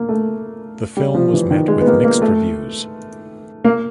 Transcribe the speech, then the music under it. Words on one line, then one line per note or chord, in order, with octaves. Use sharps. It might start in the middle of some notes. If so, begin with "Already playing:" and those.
The film was met with mixed reviews.
Already playing: A#3
A3
G3
F3
E3
D#3
G#3
B3
A#3
A#3
A3
A#3